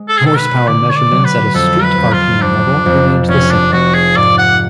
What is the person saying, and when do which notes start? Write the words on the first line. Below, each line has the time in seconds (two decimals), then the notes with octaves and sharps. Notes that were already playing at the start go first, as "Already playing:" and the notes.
Horsepower measurements at a "street" rpm level remained the same.
Already playing: G#3
0.09 A4
0.17 G#4
0.23 B2 A4
0.38 B4
0.67 D3 D5
0.90 C#5
0.96 D5
1.11 F#3
1.25 B4
1.54 F2 A4
1.83 B4
1.97 F2
2.12 F4
2.42 F2 D4
2.86 F2
3.28 F1 C#4
3.51 D4
3.72 F1 F#4
3.94 G#4
4.16 G#2 D5
4.38 F#5